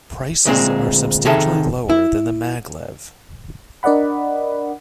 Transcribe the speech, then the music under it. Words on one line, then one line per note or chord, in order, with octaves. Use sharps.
Prices are substantially lower than the Maglev.
D2 A#2 G#3 C4
C3 D#3 G#4 A4 E5
E4
D4 A#4 D5 D#5 F#5 B5